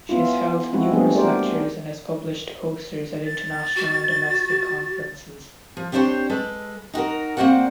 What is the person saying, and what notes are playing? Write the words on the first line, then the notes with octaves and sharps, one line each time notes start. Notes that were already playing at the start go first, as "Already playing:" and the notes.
She has held numerous lectures and has published posters at international and domestic conferences.
B3 C#4 E4 F4
F#3 G#3 C4 E4 F#4
G3 A3 B3 D4 G#4
G4 A#4 C5 D5
A6
F#4
F3
B3 C4 D4 G4 C5 C#5
G#3 A4 B4
D#4 F#4 G4 A#4
A#3 C4 F#4 C5 D5 F#5